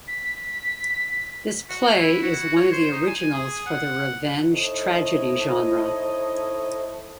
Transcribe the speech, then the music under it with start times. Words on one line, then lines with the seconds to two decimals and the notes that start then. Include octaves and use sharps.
This play is one of the originals for the revenge tragedy genre.
0.08 B6
1.69 F#4
1.95 E4
2.22 F#4
2.56 C#5
2.72 C5
2.92 D#4
3.07 G#5
3.34 G#4
3.66 F#5
4.50 D#4 E4 A4 C5 C#5 D#5